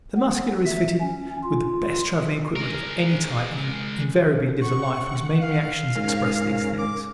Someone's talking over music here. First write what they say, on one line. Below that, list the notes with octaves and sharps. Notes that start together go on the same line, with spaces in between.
The Muscular is fitted with the best traveling equipment of any type and invariably lives a life whose main reactions express these things.
B3
E5
C#4
F4
G#3 A#4
F#5 C#6
F5
G#2 C#4 A#4
D6